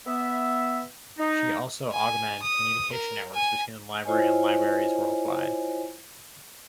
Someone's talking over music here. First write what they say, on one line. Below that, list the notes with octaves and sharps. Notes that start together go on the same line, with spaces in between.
She also augmented communication networks between the library and libraries worldwide.
B3 E5
D#4
G#5
D#6
A#4
G#5
E4 F4 C5 C#5 D#5 G#5